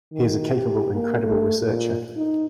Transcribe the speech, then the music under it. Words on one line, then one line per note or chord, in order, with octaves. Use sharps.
He is a capable and credible researcher.
D#3
G4
A#3
A3
A#2
D#4